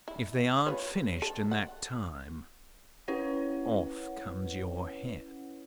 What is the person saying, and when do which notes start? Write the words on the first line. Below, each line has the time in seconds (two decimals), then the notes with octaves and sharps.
If they aren't finished in that time, off comes your head.'
0.08 E4
0.67 F4 B4 C#5
1.22 A4
1.51 F#5
3.08 C#4 E4 B4 C#5 F#5